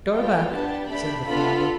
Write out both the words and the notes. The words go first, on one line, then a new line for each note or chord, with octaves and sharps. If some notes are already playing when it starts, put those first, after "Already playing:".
"Go back," said the flounder.
B3 F4 A4 G5
B3 D4 G4 A5
A3 D4 G4 B5
B3 D4 F4 A4 B5